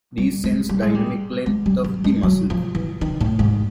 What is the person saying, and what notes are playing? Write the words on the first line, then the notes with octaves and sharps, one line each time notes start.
These sense dynamic length of the muscle.
G3
G#3
G3
G#3
G3
G#3
G3
F#3
G#3
F#3
F3
E3
D#3
A2
G#2